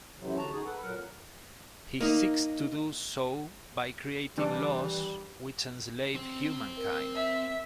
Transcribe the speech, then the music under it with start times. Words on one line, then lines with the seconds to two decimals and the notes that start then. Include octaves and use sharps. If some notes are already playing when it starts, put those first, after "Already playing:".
He seeks to do so by creating laws which enslave humankind.
0.19 F#2 A2 C3 E3 F#3
0.37 D3 F#4 A5 A#5
0.52 D#4 F#4 G#4
0.65 A4 B4 F#5
0.82 F2 A#2 F#3 A#4 F#5
2.00 A#3 D#4
4.38 E3 G3 D4 D6
6.15 C4 C5
6.77 A#4
7.14 E5